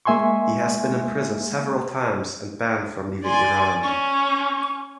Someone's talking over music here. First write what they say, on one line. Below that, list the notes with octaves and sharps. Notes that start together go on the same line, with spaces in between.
He has been imprisoned several times and banned from leaving Iran.
G#3 A#3 E5 G#5 C6 C#6
D5 G#5 C6
C#4 C#6